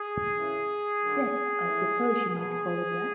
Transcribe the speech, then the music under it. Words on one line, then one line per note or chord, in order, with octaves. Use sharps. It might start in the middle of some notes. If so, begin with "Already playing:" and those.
Yes, I suppose you might call it that.
Already playing: G#4
F#2 C#3 E3
F#2 D3 F#3
A2 E3
B2 F#3 G#4